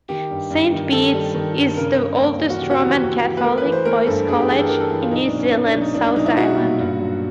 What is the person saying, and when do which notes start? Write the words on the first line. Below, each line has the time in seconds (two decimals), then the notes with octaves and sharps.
Saint Bede's is the oldest Roman Catholic Boys' College in New Zealand's South Island.
0.09 D#3 G4
0.30 G2
0.50 G2
0.73 D#3
0.92 D#3 A4
1.14 G3
1.34 D#3
1.56 G2
1.77 C#3 A#4
1.98 C#3
2.19 D#2
2.39 E3
2.50 F#4
2.60 C#3 G4
2.70 F#4
2.81 E3 G4
2.91 F#4
3.01 D#2
3.22 E3
3.37 B4
3.43 A3 A#4
3.58 B4
3.64 E3
3.72 C5
3.85 A3 A#4
4.07 G2 A4
4.28 G2 G#4
4.38 G4
4.49 E3 G#4
4.58 A4
4.69 E3 A#4
4.80 A4
4.90 E3
5.01 F4
5.11 B1 D#4
5.25 D4
5.32 B1
5.39 C#4
5.52 B1 D4
5.66 D4
5.75 B1
5.81 D#4
5.95 B1 D4
6.05 D4
6.16 B1 D#4
6.26 E4
6.36 B1 F#4
6.58 A#2
6.79 G2
6.99 F#3